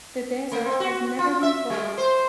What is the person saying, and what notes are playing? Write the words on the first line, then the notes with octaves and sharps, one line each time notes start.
The desert has never been ploughed.
A3
C4
F#4
F4
E5
G3
C5